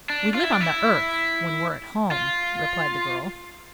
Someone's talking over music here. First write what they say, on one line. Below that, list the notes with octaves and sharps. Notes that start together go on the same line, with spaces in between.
"We live on the Earth, when we're at home," replied the girl.
D4
F4
E4
D4
E4
F4